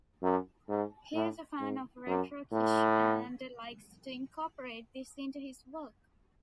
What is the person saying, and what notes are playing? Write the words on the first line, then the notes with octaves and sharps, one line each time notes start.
He is a fan of retro-kitsch and likes to incorporate this into his work.
F#2
G#2
A2
G#2
F#2
A2